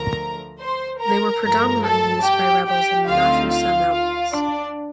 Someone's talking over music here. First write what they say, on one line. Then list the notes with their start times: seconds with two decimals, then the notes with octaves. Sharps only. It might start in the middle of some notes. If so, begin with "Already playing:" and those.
They were predominantly used by rebels in the Nafusa Mountains.
Already playing: D2 D3 F3 A3 A#4 A#5
0.60 C5 C6
1.01 A#4 A#5
1.42 G2 F3 A3 A#4 A#5
1.84 A4 A5
2.24 G4 G5
2.67 G4 G5
3.07 D2 D3 A3 C4 D#4 F4 F5
3.49 F4 F5
3.90 F4 F5
4.32 D4 D5